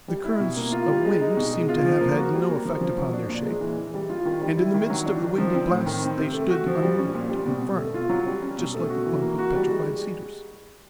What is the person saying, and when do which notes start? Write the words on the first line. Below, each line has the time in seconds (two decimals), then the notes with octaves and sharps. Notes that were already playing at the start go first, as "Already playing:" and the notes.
The currents of wind seemed to have had no effect upon their shape, and in the midst of the windy blasts they stood unmoved and firm, just like a clump of petrified cedars.
0.08 G3
0.25 E4
0.40 B2
0.57 A#3
0.72 F4
0.89 G3
1.05 G#3
1.21 D#4
1.37 B2
1.53 G#3
1.69 F4
1.85 F3
2.00 A#3
2.17 F#4
2.33 G3
2.50 A#3
2.65 F3
2.81 F3
2.98 F#3
3.13 D4
3.29 A#2
3.45 G#3
3.61 E3
3.77 E3
3.94 G3
4.10 F4
4.25 D#3
4.42 G3
4.57 E4
4.74 D#3
4.90 F#3
5.05 D4
5.22 D#3
5.38 F3
5.53 C4
5.69 A2
5.86 D#3
6.02 C4
6.17 C3
6.33 A3
6.49 F#4
6.66 F3
6.82 G3
6.98 C#4
7.14 A#2
7.29 G3
7.46 B2
7.63 B2
7.77 A3
7.94 F4
8.10 F#3
8.27 G3
8.42 C#4
8.58 B2
8.74 A3
8.90 F#4
9.06 E3
9.22 A#3
9.39 F#4
9.55 G3
9.70 G#3